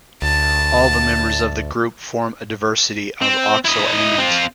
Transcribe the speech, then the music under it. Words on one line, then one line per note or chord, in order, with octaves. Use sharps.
All the members of the group form a diversity of oxoanions.
D2 A5
C4
E4 D#5
C4 F4